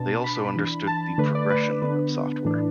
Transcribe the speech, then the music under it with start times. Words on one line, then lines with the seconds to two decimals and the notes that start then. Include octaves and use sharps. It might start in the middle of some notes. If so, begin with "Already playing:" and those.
They also understood the "progression" of software.
Already playing: B2 B3 D4 A5
0.24 B5
0.56 E3 D4
0.87 A5
1.18 D3 A3 D4 B4
1.35 D5
1.50 B4
1.82 D3 B3 D4 B4
2.45 A2 E3 D4